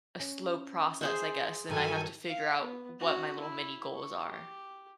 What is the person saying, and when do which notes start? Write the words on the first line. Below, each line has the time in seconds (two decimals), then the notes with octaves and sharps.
a slow process, I guess, and I have to figure out w what my little mini goals are.
0.19 C#4
1.01 G#4 C5 E5
1.69 G2 D#3 F#3 A4 G#5
2.29 F5
2.60 B3
3.00 C#4 F#4
3.40 E4
3.95 C#6
4.26 G4